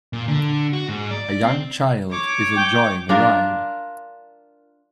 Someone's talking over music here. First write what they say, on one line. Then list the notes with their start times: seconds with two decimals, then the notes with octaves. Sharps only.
A young child is enjoying a ride.
0.13 A#2
0.28 D3
0.73 F#4
0.88 G#2
1.11 D5
1.43 C4
2.11 C#5 D6
2.56 G5
3.09 D4 F4 A#4